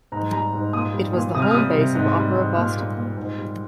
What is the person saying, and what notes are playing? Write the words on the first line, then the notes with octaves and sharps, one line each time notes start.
It was the home base of Opera Boston.
G#2 A#5
G3 A#5
G#2
A#2 D#6
G3
A#2
C3 D#6
F6
G3 D#6
C3
G#2
G3
G#2
A#2 F6
G3
A#2
G#2
G3